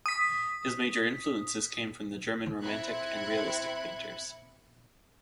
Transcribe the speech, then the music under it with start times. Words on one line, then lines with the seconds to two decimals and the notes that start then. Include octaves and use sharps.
His major influences came from the German Romantic and Realistic painters.
0.06 D#6 B6
2.62 C4 E4 F#6 G#6 C#7